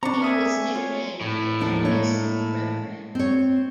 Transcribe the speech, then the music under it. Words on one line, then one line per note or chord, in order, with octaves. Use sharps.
He was nicknamed "The Angus Rembrandt".
C4 D4 A#5 C#6
E5 G#5 D#6 F6
F4 C#5
A2
D#2 F3 D4
G#3 A#3 C#5
C4 C#5